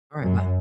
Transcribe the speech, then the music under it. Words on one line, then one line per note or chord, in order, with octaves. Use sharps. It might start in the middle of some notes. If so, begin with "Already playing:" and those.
Alright, bye.
F#2